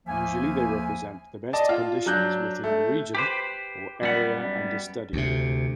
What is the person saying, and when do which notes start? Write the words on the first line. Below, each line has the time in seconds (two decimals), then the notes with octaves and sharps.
Usually they represent the best conditions within the region or area under study.
0.06 D#2 F3 A#3 E5 G#5
1.53 D5 D#5 A5
1.69 F4
2.06 F#3 D4 F#6 G6
2.64 A3
3.15 G4 B4 C5
4.02 F#2 G3 B3 F#5
5.13 D2 C3